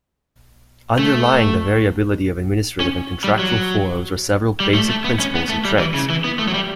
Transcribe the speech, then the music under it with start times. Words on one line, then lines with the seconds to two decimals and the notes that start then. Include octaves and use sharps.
Underlying the variability of administrative and contractual forms were several basic principles and trends.
0.99 A3
2.80 C#4
3.24 G3
3.39 F#3
4.60 G3
4.74 A3
4.90 A3
5.04 B3
5.20 C#4
5.35 B3
5.49 A3
5.65 G3
5.79 E3
5.94 C#3
6.10 E3
6.24 B3
6.39 A3
6.48 F#3
6.54 G3